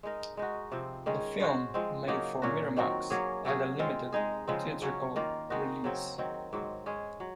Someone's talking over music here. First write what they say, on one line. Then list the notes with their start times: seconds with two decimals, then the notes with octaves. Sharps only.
The film, made for Miramax, had a limited theatrical release.
0.03 G#3 D#4 A#4
0.37 G#3 D#4 F#4
0.72 C3 F3 C4
1.06 D#3 G#3 C#4 G#4
1.40 G#3 C#4 F#4 C5
1.74 F3 G#3 C4
2.08 C#3 F#3 A#3 D#4
2.42 A#2 F#3 C#4 F#4
2.76 D#3 F#3 C4 F#4
3.10 F#3 A#3 C#4 G#4
3.45 C3 F#3 C#4 G#4
3.79 G#3 C4 F4
4.12 G#3 D#4 G#4
4.47 C#3 F3 G#3 C4
4.82 C#3 F#3 C#4
5.16 D#3 A#3 F4
5.50 D#3 G#3 D#4 F#4
5.84 C#3 F#3 C4
6.18 D#3 F#3 C4
6.53 G#2 F#3 C4
6.86 G#3 C#4 G#4
7.20 F#3